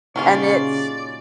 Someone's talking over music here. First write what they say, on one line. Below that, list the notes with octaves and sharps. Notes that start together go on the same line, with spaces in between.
and it's
A#2 C#3 F#3 C#4 D#4 F4 G4 D5